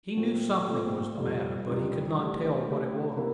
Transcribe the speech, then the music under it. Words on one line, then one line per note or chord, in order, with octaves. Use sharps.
He knew something was the matter, but he could not tell what it was.
A#2 A3 C4
A#2 A3 C4
F2 C3 G3
F2 C3 G3
A3 D4 G4
A3 D4 G4
C3 E3 A#3 E4 A#4